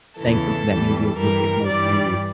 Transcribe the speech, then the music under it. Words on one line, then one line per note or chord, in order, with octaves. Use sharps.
saying something that may be a little bit more rude
E2 C#3 E3 A4
E2 E3 G3
G2 E3 G3 A#4
G2 E3 G3 D5